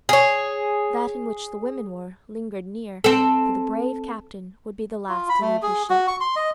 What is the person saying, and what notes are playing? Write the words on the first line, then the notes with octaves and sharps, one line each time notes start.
That in which the women were lingered near, for the brave captain would be the last to leave his ship.
G#4 C#5
C4 A4
F4
B5
A3
G#4
F#4
C#6
C6
D#5